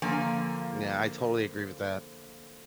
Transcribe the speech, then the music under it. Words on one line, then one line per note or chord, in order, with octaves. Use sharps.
Yeah, I totally agree with that.
D3 F3 A#3 G#5